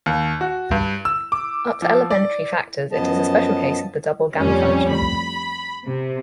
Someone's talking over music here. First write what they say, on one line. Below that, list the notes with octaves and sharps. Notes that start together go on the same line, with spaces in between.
Up to elementary factors, it is a special case of the double gamma function.
D#2
F#4
G2
E6
D6
F3
D5
F#2 F3 B3 D#5 A5
F2 A2 G3 C#4
B5
C3